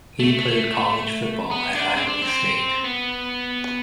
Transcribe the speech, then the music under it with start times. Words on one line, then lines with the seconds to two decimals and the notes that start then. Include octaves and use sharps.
He played college football at Iowa State.
0.19 A3
1.51 B3
1.74 D4
1.96 C4
2.08 D4
2.22 C4
2.84 B3